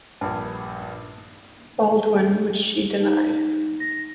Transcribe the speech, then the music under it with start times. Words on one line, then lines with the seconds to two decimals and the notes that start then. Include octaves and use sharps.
Baldwin, which she denied.
0.21 A#1 G2
3.01 D#4
3.80 A#6